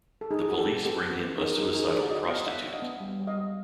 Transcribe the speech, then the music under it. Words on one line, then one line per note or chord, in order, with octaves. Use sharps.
The police bring him a suicidal prostitute.
A4
D#4 G#4
F#4
G4 A4
B3
B3 G4 A4
B3
B3
D#4 G#4 A#4
D#4 G#4 A#4
D#4 G#4 A#4
D#4 C5 D5
F#4 C#5 D#5
B3 D#5 F5
D4 E5 F#5
D4
D#5 F5
B3
G3
G3
D#5 F5
G3